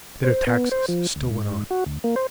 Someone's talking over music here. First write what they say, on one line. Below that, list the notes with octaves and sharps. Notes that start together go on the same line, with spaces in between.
The bitter taxes still went on.
C5
B3
C5
F3
D2
G#2
F#4
D2
A#3
C5